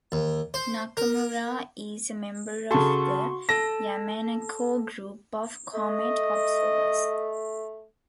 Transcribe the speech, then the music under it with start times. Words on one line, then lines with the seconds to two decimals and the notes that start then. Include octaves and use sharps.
Nakamura is a member of the Yamaneko Group of Comet Observers.
0.12 D#2
0.54 C5
0.97 A#4
2.71 C#3 F#4 A4 C6 C#6
3.49 A4 A5 A#6
5.74 A3 D#5